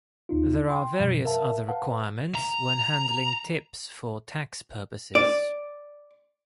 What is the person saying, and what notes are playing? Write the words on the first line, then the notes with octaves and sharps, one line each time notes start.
There are various other requirements when handling tips for tax purposes.
D#2 D#4 F4
G5 C6
F#2 B2 F3
A#4 E5 F5 A5
B4 F5 F#5 A5
A#5
D5